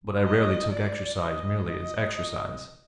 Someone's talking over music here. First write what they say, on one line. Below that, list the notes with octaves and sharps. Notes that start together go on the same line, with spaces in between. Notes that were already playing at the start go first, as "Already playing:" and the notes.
But I rarely took exercise merely as exercise.
D#5
D5
D#5
D#5